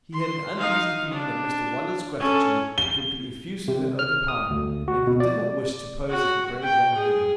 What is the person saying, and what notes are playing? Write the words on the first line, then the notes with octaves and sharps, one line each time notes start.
He had an uneasy feeling that Mr Waller's gratitude would be effusive and overpowering, and he did not wish to pose as the brave young hero.
C6
D#4 F5
D4
C#4 A4
G7
C3
F6
D#6
D2
F#4
B2
D5
F#4
G5
G#4